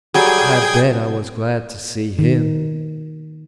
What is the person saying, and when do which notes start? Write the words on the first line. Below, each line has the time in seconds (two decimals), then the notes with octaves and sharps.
I bet I was glad to see him.
0.14 F#3 G3 G#4 A4 G5 G#6
2.19 D#3